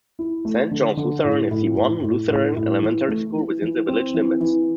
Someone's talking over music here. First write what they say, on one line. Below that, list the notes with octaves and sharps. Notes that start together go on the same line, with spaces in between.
Saint John's Lutheran is the one Lutheran elementary school within the village limits.
E4
A3
D3
D3
A2
A2
A2
A2
A2
A2
E3
A3
E3
E3
C4
E3
E3